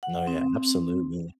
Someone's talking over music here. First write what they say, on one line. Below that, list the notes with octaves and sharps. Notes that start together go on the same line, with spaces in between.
No, yeah, absolutely.
F#5
C4